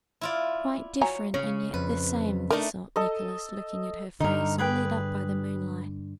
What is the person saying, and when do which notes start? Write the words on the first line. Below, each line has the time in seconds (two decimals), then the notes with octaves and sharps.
"Quite different and yet the same," thought Nicholas, looking at her face all lit up by the moonlight.
0.21 E4 F4 D5
1.01 F#3 C#5 G#5 A#5
1.34 C#3 C#5
1.74 F2 B4
2.50 A3 D4 D#4 A#4 D5
2.96 A4 D#5
4.20 G2 D3 D#4 A#4
4.58 G#4 B4 G5